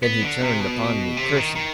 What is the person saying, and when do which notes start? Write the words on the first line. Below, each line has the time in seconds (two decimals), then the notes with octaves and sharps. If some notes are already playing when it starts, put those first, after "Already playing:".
Then he turned upon me cursing.
0.03 B3
0.22 D3
0.41 C3
0.60 B2
1.17 C3
1.37 D#3
1.55 D#3